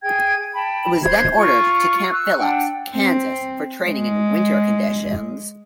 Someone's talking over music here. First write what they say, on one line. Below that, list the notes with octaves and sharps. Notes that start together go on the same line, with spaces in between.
It was then ordered to Camp Phillips, Kansas for training in winter conditions.
G#4 G5 G#6
G5 A5 B5
C5 G#6
F4 C#6
E6 F#6
D4 F#5 G5
C4
G#3